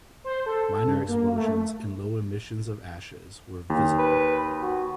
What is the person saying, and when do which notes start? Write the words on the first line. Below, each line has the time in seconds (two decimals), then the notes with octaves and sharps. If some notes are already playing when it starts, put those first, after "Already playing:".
Minor explosions and low emissions of ashes were visible.
0.24 C5
0.46 A4
0.86 G2
1.09 A#3
1.35 A3
3.70 D#2
3.98 B4
4.59 F#4